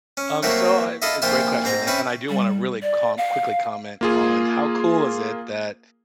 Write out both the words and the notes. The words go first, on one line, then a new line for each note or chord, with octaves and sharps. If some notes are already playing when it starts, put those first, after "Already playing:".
Um, so, I g great question, and and I do wanna really com quickly comment on how cool is it that,
C#4
F#3 A3 A#3 C4 E5
E4 F4 A4 D#5 E5
A#1 C3 F4 C5 E5 C6
G#2 C4 A#5
C4 C#4 B4 E5
G3
D5
F5
A#3 F4 G#4